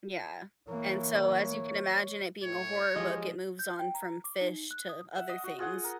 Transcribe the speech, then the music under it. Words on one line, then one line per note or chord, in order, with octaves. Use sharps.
Yeah, and so, as you can imagine it being a horror book, it moves on from fish to other things.
E3 A#3 C#5
A2 C#5
F3 G#3 G4 D#5
G6
G5
A#5
D6
D#4
F#6
D#6
E5 F#5
D#5
F#4
F4 G#4 F#5
A#4